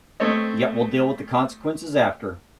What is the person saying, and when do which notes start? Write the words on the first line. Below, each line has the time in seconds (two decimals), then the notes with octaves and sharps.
Yeah, we'll deal with the consequences after.
0.20 A3 C4 C#5 D#5